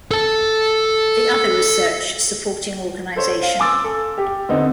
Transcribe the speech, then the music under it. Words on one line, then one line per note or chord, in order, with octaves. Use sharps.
The other research supporting organization.
A4 A5
A4 C5 C#5
F5
G#5 C6 D6 E6 A6
A4
G4
D3 B3 C4 D#4